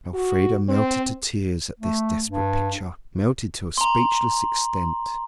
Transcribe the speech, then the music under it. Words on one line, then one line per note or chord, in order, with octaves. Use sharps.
Elfrida melted to tears at this desperate picture, melted to a speechless extent.
F#4
C4
A3
G2
A#5 C6